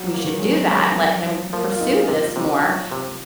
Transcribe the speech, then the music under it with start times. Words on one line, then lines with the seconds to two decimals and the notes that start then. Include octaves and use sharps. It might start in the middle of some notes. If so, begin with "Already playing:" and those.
we should do that and let him pursue this more."
Already playing: F#3
0.14 A#3
0.24 D#3
0.37 G#3
0.42 D#3 F#3
0.70 C#4
0.98 F4
1.26 F3
1.53 F3 A#3
1.72 F4
1.80 C4 D#4
2.08 C3 F4
2.36 C3
2.64 F#3
2.91 C3